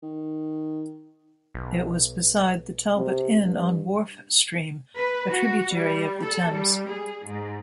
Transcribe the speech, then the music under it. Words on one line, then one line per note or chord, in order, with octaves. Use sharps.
It was beside the Talbot Inn on Wharf Stream, a tributary of the Thames.
D#3
B1
C3
G2
B4
F#4
G3
A4
G3
G#4
G#2